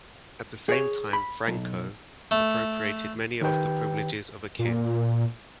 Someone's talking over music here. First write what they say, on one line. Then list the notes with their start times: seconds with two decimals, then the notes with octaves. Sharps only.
At the same time, Franco appropriated many of the privileges of a king.
0.69 G#4 C#5
1.13 B5
1.48 B1
2.31 A3
3.42 D#3 G4 B4 G5
4.59 A#2